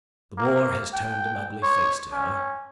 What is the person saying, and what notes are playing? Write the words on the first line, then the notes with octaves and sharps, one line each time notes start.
The war has turned an ugly face to her.
A#3
G5
C#5
C#4